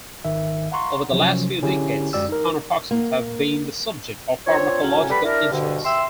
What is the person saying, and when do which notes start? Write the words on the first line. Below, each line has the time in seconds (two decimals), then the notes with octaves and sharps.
Over the last few decades conotoxins have been the subject of pharmacological interest.
0.25 G#1 D#3 E5
0.72 F5 F#5 A#5 C6 C#6
1.11 C3 F3 F#3 C#4
1.63 D3 C#4 E4 G4 G#4
2.13 F#2 G#3 F#4 D5 G5 E6
2.28 D#4 A#4
2.91 A#3
4.46 C4 D4 F4 C#5
4.83 A2 F#3 C#4
5.09 G3 A4 B4 B5
5.24 D4 E4 A#4
5.51 D2 G2 B2 D3
5.84 E5 G5 C6 E6